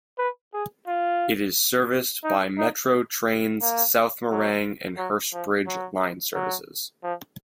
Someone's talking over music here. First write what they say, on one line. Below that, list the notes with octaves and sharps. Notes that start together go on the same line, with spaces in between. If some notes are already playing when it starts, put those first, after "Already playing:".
It is serviced by Metro Trains' South Morang and Hurstbridge line services.
B4
G#4
F4
D#4
D#4
A#3
F#3
F#3
F3
F#3
F#3
F3